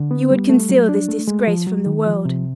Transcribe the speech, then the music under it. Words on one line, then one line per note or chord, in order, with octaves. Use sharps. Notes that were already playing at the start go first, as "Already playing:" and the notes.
You would conceal this disgrace from the world.
Already playing: D3
B3
G3
A3
F#3
D4
A3
G#3
F3
F#3
D#3
F3
C3